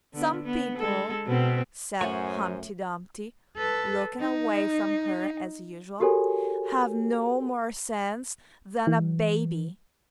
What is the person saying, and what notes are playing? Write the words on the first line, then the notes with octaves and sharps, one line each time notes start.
'Some people,' said Humpty Dumpty, looking away from her as usual, 'have no more sense than a baby!'
D3 B3
B3
G#3 A4
B2 B3 C4
F#2 A2 C5 C#5 F#5 G#5 C#6
A4 B4
D#4
F#4 G4 A4 A#4 C#5 G#5
E3